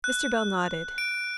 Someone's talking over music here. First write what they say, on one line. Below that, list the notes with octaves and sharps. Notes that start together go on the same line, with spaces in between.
Mr. Bell nodded.
F#6
D7